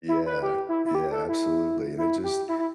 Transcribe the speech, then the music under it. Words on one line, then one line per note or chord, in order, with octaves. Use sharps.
Yeah. Yeah, absolutely, and it just
E4
B4
G4
E4
E4
G4
A4
E4
E4
G4
E4
E4